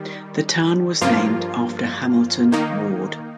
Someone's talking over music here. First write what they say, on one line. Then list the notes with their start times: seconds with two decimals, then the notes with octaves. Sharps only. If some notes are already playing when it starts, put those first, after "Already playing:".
The town was named after Hamilton Ward.
Already playing: D#3 G3
1.01 G2 F3 A#3 F4
2.52 D#3 A#3 D#4